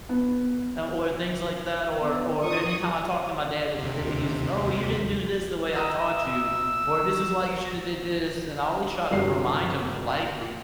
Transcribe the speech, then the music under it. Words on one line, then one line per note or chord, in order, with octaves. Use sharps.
Uh, or things like that, or or anytime I talk to my dad it it he's, "Oh, you didn't do 'this' the way I taught you," or "This is why you shoulda did 'this'." And I always try to remind him politely,
B3
B3
F4 C#6 D#6
D#2 C3
D#5 A#5 E6
G1 F#3 G3 C7